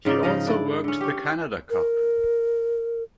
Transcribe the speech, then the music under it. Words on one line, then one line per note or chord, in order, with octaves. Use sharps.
He also worked the Canada Cup.
G#2 C#3 D#4 D5
C#3 F3 D#5
D4 E4 D5
D3 C#4
G4 C#5
A#4